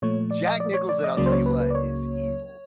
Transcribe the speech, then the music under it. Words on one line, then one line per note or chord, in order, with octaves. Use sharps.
Jack Nicholson, I'll tell you what, is evil.
A#2 F3 A3 C#5
D5
D#5
D5
C#5
D5
D#5
C#2 C#3 F#3 A#3 D5
C5
C#5
B4
B4
D5
C#5